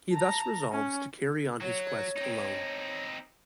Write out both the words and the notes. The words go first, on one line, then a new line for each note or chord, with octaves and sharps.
He thus resolves to carry on his quest alone.
A5 A#5
C#4
F#3 C#5
C4 D#4